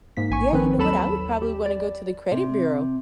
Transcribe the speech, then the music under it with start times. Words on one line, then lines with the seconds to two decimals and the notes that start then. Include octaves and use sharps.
yeah, you know what? I would probably wanna go to the credit bureau,
0.17 G#2 A#3 B6
0.30 A1 G#5 C#6
0.53 D#3 F3 C4 B4
0.78 D#2 F#3 A4 A5 B5 E7
1.42 G4
1.66 D5
2.31 C3